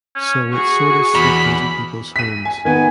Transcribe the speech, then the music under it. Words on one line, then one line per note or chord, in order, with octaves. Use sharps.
So it sort of slipped into people’s homes.
C#4
F#4 G#4 C#6
E2 B5
B6 D#7
G#5
D#3 B3 G#5